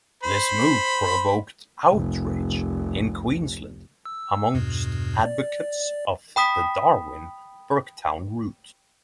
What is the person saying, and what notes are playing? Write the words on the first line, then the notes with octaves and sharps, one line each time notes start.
This move provoked outrage in Queensland amongst advocates of the Darwin-Burketown route.
C5 B5
F1 C2
E6
E2 G2 B2
D5
G5 B5 D#6 B6